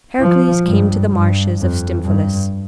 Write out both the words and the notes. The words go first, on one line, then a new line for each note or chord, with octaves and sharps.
Heracles came to the marshes of Stymphalus.
F3
G2
G2
F2
G2